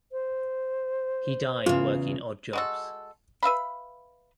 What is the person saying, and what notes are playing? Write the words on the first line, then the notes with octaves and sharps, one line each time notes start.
He died working odd jobs.
C5
E2 C#3 F4
G#3 F#4 A4
B4 E5 F5 B5